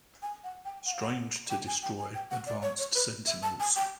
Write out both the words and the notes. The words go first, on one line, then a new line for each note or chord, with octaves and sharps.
Strange to destroy advanced Sentinels.
G#5
F#5
G5
F#5
F5
F#5
G5
G#5
G5
G#5
G5
F#5
D5
C#5
C#5
B4
E5
A5
G#5
G5